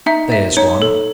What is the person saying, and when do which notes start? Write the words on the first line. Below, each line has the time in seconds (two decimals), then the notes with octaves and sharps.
There's one!
0.06 D#4 E5
0.32 E5
0.57 D#4 C#5
0.82 A4